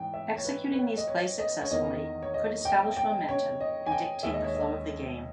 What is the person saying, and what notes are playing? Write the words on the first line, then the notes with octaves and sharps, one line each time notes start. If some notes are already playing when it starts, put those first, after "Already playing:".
Executing these plays successfully could establish momentum and dictate the flow of the game.
Already playing: G#2 E3 G5
E5
C#5
B4
B4
C#5
D#5
C#5
D#5
C#5
E2 D#3 A#3 D#5
C#5
D#5
G5
G5
C#5
D#5
G#5
G5
D#2 D#3 G#3 E5
D#5
C#5
D#5